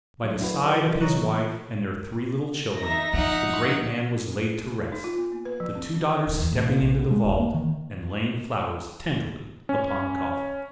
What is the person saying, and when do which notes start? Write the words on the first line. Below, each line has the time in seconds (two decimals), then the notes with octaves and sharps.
By the side of his wife and their three little children the great man was laid to rest, the two daughters stepping into the vault, and laying flowers tenderly upon the coffin.
0.24 F#3
0.40 D4 E4 F#4 B4
0.65 E4 A4 B4 D5
0.86 C3 E3 F#3 E4
1.01 C#5 D#5 A#5 C#6 F#6
1.21 E3 A#3
2.78 D#4 E5 A#6
3.14 F3 D#4 E5 F#5
4.92 D#4
5.04 F4
5.18 B3
5.32 A#3
5.45 B4
5.60 F3
5.75 C4
6.27 D1
6.39 E2
6.52 A2
6.65 A#2
6.81 A#1
6.99 B2
7.11 G#3
7.24 D#1
7.39 A#3
7.54 D#3
9.69 C#4